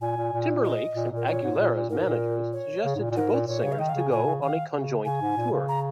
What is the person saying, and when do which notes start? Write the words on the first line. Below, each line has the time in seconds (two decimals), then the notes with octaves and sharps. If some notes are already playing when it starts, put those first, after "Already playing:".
Timberlake's and Aguilera's managers suggested to both singers to go on a conjoint tour.
0.01 A#2 G#5
0.17 A#2
0.33 A#2
0.65 D#5
0.96 A#2
1.11 A#2 A#4
1.27 A#2 C#5
1.43 G#2
1.59 A#2
1.74 A#2
1.90 G#2 A#4
2.06 A#2
2.53 C#5
2.85 C#3
2.96 G#2
3.00 A#2
3.11 A#2
3.17 G#2 A#4
3.32 A#2
3.47 A#2 C#5
3.64 C#3
3.72 F5
3.79 D#3 D#5
3.89 F5
3.95 C#3 G#5
4.11 A#2 G#5
4.26 C#3
4.42 D#3 F5
4.74 C#3
5.05 C#3 G#5
5.21 G#2
5.37 A#2
5.52 C#3
5.69 A#5